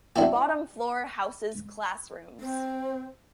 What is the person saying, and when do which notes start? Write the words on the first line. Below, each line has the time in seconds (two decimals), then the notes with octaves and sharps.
The bottom floor houses classrooms.
0.16 D4 E4 F#4 G4
2.40 C4